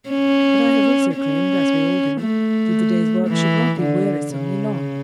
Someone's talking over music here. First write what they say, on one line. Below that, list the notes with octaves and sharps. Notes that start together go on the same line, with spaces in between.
But I have also claimed, as we all do, that the day's work should not be wearisomely long.
C#4
C#4
A3
E3
D3
C#3